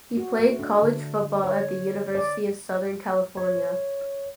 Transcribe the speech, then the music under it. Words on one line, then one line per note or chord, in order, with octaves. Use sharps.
He played college football at the University of Southern California.
F#4
A3
D4
D3
C#5
D5
C#5